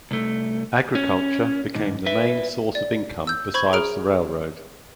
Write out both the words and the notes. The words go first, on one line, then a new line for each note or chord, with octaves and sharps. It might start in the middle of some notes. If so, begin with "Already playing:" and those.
Agriculture became the main source of income besides the railroad.
C2 A3
C#4
D#2 G#2
B4 E5
D5
E6 G6
C5 B5 C#6 G#6
G#4 A#5 F6 D7